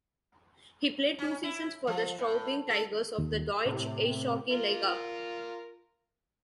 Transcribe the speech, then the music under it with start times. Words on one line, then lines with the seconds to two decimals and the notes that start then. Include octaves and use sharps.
He played two seasons for the Straubing Tigers of the Deutsche Eishockey Liga.
1.19 C#4
1.43 E4
1.87 F3
2.18 A2
2.70 A4
3.18 D#2
3.66 A2 C3
4.51 F4 A#4